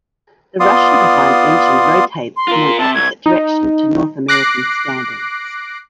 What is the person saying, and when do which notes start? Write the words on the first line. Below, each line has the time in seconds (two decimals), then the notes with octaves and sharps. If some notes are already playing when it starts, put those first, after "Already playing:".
The Russian-designed engine rotates in an opposite direction to North American standards.
0.60 B3 F4 D5 C6 D#6
2.37 C6
2.48 F4 A#4
2.79 C3 A5
2.95 C2 G#6
3.26 D#4
4.28 D6 F#6 A#6 C7 D7